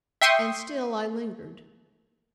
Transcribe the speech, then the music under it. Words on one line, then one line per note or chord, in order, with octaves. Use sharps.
And still I lingered.
E5 G5 C6 C#6 D#6